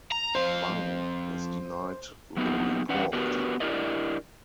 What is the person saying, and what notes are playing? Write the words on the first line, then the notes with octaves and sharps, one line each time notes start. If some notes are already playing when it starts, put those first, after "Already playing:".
Wang has denied the report.
A#5
F2 C5 F5
F#3 A#3 B3 D#4 G4
E2 C#4 B4 D5 F#5
B3 D4 F#4 G4 A#4 B4
D4 E4 G4 A#4 D5 D#5